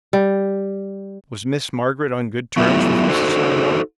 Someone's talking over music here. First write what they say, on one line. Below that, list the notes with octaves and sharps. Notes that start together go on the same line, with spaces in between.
"Was Miss Margaret on good terms with Mrs. Langmore?"
G3
F#3 A3 B3 E4 F4 G4
D#4 F#4 A4 C5